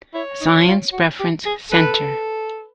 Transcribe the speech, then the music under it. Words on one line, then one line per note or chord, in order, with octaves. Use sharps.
Science Reference Center.
E4 C#5
D#4
F4
F#4
G4
G#4
A4 B4